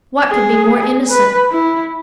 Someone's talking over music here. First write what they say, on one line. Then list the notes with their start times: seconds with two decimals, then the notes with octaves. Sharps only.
What could be more innocent?
0.27 G#4
1.09 B4
1.51 E4